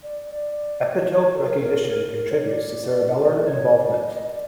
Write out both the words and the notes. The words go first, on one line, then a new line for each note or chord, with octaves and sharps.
Epitope recognition contributes to cerebellar involvement.
D5
D5
C#5
A4
A#4
C#5
D5
D5
C#5
D5
D#5
D5